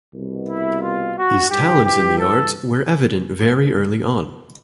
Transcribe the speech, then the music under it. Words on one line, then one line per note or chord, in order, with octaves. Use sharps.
His talents in the arts were evident very early on.
C2 B2
E4
F4
F#4
G2 E3 G4
G4
A4